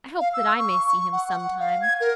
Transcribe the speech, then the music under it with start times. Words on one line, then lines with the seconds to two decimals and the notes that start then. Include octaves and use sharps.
I hope that I may see him sometime.
0.20 F5
0.34 E6
0.59 C#6
0.87 C#6
1.13 F#5
1.29 F#5
1.60 F5
1.82 G#6
2.01 A#4